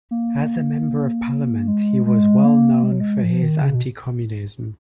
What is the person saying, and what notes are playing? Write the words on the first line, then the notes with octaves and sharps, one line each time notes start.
As a member of parliament he was well known for his anti-communism.
A#3
G#3
G#3
A#3
G#3
F#3
G#3
F3
D#3
C#3
B2